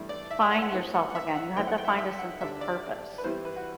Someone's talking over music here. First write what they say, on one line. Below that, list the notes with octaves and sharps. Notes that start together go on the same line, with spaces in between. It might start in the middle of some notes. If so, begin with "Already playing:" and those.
find yourself again. You have to find a sense of purpose.
Already playing: G2 E3 A3 D4
D5
E5
G5
F#5
F#5
A2 F#3 C4 E4 F#5
F#5
F#5
E5
F#5
F#2 F#3 A3 C4 E4 G5
F#5
G5
E5
F#5
E5
F#5
D3 G3 D4 E5
D5
B4
G2 E3 G3 C4 E4 C5
B4
F#4